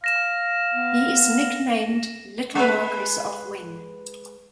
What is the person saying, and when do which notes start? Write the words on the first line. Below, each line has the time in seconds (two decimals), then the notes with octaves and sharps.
He is nicknamed "Little Marquis of Wen".
0.04 F5 A#6 E7
0.74 B3
2.55 G#3 B4